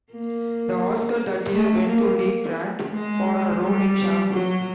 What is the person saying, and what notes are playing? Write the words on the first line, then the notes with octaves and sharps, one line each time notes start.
The Oscar that year went to Lee Grant for her role in "Shampoo".
A#3
A3
A#3
G#3
G3
F#3